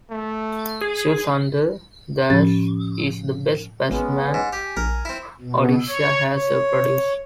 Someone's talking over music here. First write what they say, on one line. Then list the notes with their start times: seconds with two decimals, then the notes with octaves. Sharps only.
Shiv Sundar Das is the best batsman Odisha has ever produced.
0.11 A3
0.81 G#4
2.30 A2 F3 C#4 A6
3.90 G#1 G#3 B3 C#4
4.34 G#2
4.53 G4 G#5
4.77 A#1 A#4
5.05 C4 E4
5.41 B2
5.88 C#5
6.35 C#5